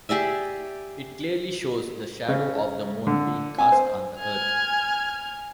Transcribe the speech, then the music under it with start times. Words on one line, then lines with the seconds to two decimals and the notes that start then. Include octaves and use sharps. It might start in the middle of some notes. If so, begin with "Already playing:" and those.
It clearly shows the shadow of the Moon being cast on the Earth.
0.09 G4 G#4 D5 E5
2.28 C#3
3.07 D3
3.58 G#5
3.72 C5
4.19 G#5 F6 G#6